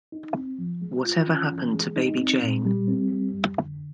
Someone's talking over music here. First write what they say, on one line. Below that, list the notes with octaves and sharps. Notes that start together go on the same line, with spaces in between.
What Ever Happened to Baby Jane?
D#4
C4
F3
G#3
F4
C#4
E3
G#3
D#4
C4
A#2
G3
C4
G3
F2
D3